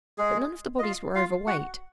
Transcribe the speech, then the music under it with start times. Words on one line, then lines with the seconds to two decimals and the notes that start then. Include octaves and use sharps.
But none of the bodies were overweight.
0.18 G#3 G#4
0.79 D#5
0.82 F4 F5
1.15 F4 F5
1.48 F#4 F#5